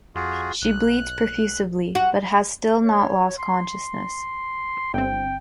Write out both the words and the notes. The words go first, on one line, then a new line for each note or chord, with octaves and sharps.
She bleeds profusely but has still not lost consciousness.
F2 F4 F#4 G#4
B1 F#6
F#4
C#5
C6
G1 C4 G5